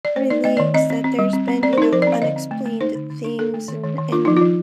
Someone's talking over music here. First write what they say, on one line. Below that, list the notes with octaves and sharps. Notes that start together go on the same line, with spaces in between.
released that there's been, you know, unexplained things, and and
D5
A3 C5
D#4 D5
A3 D#5
D#3 D5
C4 D#5
C4
C4
G3
C4
C4
C4 D5
C5
D#4 A#4
F3 C5
D5
C4
F5
D3 D#5
C4
A3
A3
D#4 C5
D3
D3
D4
D4 A4
A3
D#3
D#3
D#3
D4 F4
F3 D#4
F4
F3